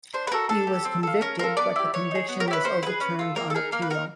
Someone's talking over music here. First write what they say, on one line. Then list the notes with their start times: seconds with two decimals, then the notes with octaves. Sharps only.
He was convicted but the conviction was overturned on appeal.
0.13 D4 C5
0.27 B4
0.32 F#4 A4 A#4
0.49 D4 A4
0.67 G4
0.85 C4
1.03 F4 A4
1.21 C#4 A#4
1.39 F4 A4 A#4
1.57 B3 D5
1.76 E4 G4
1.94 B3 C#5
2.11 D#4 G#4
2.29 B3
2.40 A#4
2.48 G4
2.51 E4 B4
2.64 C#4 C5
2.82 E4 G#4 B4
3.00 C#4
3.19 F4 A4
3.36 A#3 A#4
3.50 A4
3.54 D#4 G#4 A#4
3.72 A#3 A#4
3.82 B4
3.90 D#4 F#4 A#4